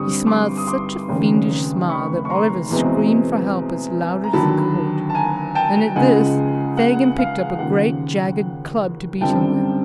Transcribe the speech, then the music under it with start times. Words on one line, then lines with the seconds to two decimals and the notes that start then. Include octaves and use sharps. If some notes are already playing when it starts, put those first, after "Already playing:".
He smiled such a fiendish smile that Oliver screamed for help as loud as he could, and at this Fagin picked up a great jagged club to beat him with.
Already playing: G2 D3 G3 C4 C#6 D#6
0.27 C6 D6
0.57 D#6
0.67 C6 D6
1.08 F1 D#2 C#3
1.89 B5 C#6
2.25 C#6
2.30 A#5 C6
2.71 E2 B2 G#3 C4
4.24 A#5
4.33 D#2 D3 F#3 A5 B5
5.09 A5
5.14 G#5 A#5
5.55 G5 A5
5.96 C#2 C#3 F3 G#3 F#5 G#5
6.77 F#5
7.18 F5
7.59 D#2 C#3 F3 F#5
9.21 F#2 D3 G3 C4 F4 G5 A5